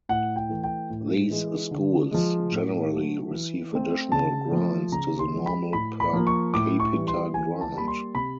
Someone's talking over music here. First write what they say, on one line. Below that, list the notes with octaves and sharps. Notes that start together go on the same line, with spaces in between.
These schools generally receive additional grants to the normal per capita grant.
A2 F#5
G5
E3 A3
G5
A2
E3 G#3
D3
F3 G#3
A2
F#3 A3
E3
A3 C4
C#3 A5
F3 A3
C#3 A#5
C6
F3 G#3
B5
A2 B5
B5
F3 A#3
C#6
A2 D6
C#6
E3 G3
C6
E3 G#5
A5
G3 A#3 B5
C6
C3 B5